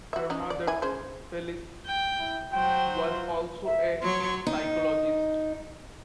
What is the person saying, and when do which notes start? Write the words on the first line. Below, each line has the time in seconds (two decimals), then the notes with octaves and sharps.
Her mother, Felice, was also a psychologist.
0.13 F#4 E5
0.30 C#4 D#4 F#4
0.50 D5
0.67 E3 E4 G#5
0.82 C#4 G#4 C5
1.86 G5
2.19 E4
2.53 F#3 C5 G5
3.04 F4
3.65 E5
4.01 F#3 C#5 C6
4.47 D#4